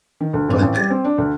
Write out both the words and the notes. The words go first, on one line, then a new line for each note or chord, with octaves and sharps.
But then,
D#3
D2
G#1
A1
G3
C4
D4
D2